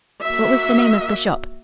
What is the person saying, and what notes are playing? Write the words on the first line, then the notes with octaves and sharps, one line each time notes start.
"What was the name of the shop?"
A#3 F#4 E5